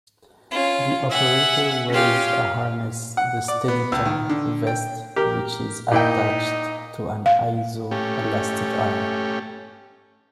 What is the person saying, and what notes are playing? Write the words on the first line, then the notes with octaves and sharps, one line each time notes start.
The operator wears a harness-the Steadicam "vest"-which is attached to an iso-elastic arm.
C#4 F4
E5 F#5 G#5
C#4 F4 G4 F5
F#5
D5
B3
C#2
D#3
D3
G5
G4 A#4
A#2 D#4 E4 G5
F5
A3 C#4 G4